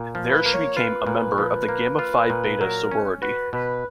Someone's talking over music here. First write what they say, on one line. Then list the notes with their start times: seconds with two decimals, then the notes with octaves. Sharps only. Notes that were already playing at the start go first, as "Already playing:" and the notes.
There she became a member of the Gamma Phi Beta sorority.
Already playing: A#2
0.15 F3
0.30 B4
0.46 A#3
0.54 C#5
0.77 F4 B4
1.06 A#2
1.38 F3
1.69 A#3
1.99 F4
2.30 A#2
2.61 F#3 A#4
2.91 C#4
3.22 F#4 B4
3.53 B2 B4